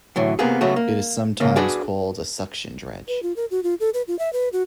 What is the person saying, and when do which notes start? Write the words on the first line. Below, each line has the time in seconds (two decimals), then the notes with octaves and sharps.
It is sometimes called a suction dredge.
0.16 A2 D3 E3 F#3
0.39 C3 A#3 B3 G#4
0.61 C#3 F#3 A3 B3 F#4
0.76 A#3
1.40 G#2 C#3 A#3 D#5
1.56 D4 F#4 G#4 B4 D5
3.08 B4
3.23 F4
3.36 A#4
3.51 F#4
3.63 F4
3.80 A4
3.94 B4
4.08 F4
4.19 E5
4.33 B4
4.53 F#4